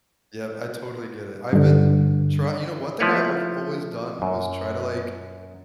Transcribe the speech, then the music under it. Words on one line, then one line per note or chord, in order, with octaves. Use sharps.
Yeah. I totally get it. I've been try you know, one thing I I've always done was try to, like,
G2 D3
F3 A3 E4 B4 C#5
F#2